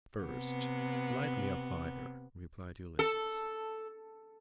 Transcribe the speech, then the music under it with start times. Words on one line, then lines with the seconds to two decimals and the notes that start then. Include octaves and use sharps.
"First light me a fire," replied Ulysses.
0.24 C3 B3
2.99 A4